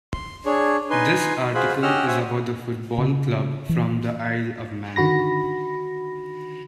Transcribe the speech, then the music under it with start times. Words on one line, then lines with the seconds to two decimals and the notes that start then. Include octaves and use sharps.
This article is about the football club from the Isle of Man.
0.13 C6
0.45 D4 G#4 C#5
0.90 D#4 B4 G#5 C6
1.54 F4 F#4 G#4 C5 B5
1.82 C#4 G4 D#5 F#5 E6 F6
2.07 F#4 C5 E5 F#5 G#5
2.98 C#3
3.69 E3
4.96 D3 D#3 F#4 B5 A#6